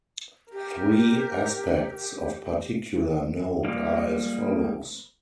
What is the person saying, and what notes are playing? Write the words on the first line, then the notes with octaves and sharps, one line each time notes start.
Three aspects of particular note are as follows.
G4 A#4
F3 G3 G#3 A#3